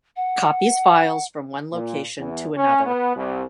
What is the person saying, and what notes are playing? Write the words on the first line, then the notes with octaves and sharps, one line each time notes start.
Copies files from one location to another.
F#5
A#2
E2
C#4
B3
C2